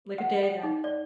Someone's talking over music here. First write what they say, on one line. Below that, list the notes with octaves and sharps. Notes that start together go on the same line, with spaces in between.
like a day that,
F#5
G5
D#4
D5